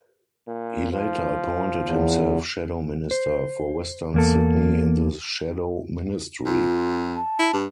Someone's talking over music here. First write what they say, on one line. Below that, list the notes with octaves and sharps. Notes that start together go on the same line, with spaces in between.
He later appointed himself Shadow Minister for Western Sydney in the Shadow Ministry.
A#2
F3
E2
C5
E2 A#3 A4
F2 F4
A5
E4
G2